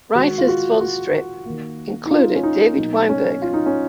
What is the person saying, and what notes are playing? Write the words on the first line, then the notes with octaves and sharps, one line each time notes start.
Writers for the strip included David Weinberger.
D#3 G#3 F#4
F4
F#4
F#4
D#3 A#3
D#4
F4
C#4
D#4
B2 F#3 A#3 D#4
C#4
F4
D#4
C#4